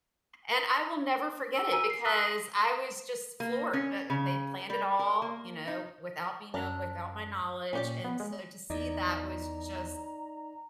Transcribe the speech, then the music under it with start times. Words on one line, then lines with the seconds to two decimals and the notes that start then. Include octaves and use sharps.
and I will never forget it because I was just floored, but, eh, they planned it all, you know, without me know without my knowledge, and so to see that was just
1.55 E6
1.72 F#4 G#5 A#5 E6 D#7
1.86 A#4 C7
2.05 A#5 D#6 E6 F#6 B6
3.40 A#3
3.73 C#4
4.10 C#3
4.70 G3
4.99 A#4
5.22 A#3
5.68 D#4
6.54 F#2 D4 A#4
7.73 A#2 C#4 G4 D5
8.04 B3
8.20 G#3
8.70 E2 D#4 D5 D#5 A#5